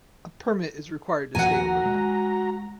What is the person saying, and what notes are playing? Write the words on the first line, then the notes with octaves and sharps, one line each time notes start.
A permit is required to stay overnight.
D#2 A#2 F3 F#4 F#5 G#5 A#5
G#3